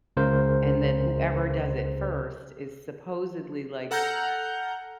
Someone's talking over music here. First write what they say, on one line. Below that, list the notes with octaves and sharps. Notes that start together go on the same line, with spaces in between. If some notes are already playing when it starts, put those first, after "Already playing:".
and then whoever does it first is supposedly, like,
C#2 C#3 A#4 C5
A4 F#5 A#5 F6 G6